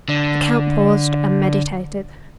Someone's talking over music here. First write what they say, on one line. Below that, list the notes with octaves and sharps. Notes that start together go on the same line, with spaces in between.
The count paused and meditated.
D3